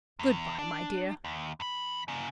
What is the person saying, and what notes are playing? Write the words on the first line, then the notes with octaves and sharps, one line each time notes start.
Good-by, my dear.
E2
D4
D#2
E2 B5
C#3 A#3